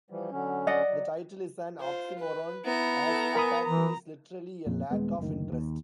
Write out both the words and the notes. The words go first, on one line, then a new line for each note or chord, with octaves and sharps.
The title is an oxymoron as apathy is literally a "lack of interest".
E3 F3 G3
D3 F#3 C#4
D5 D#5 F#5
F#3
F4 C5
B4
B3 E4 A#5
E4 A4
A#4 G#5 B5 D#6
E3 A#5
F2 A#2
D#1 G#3 B3
F#1 D2 D#3
D#2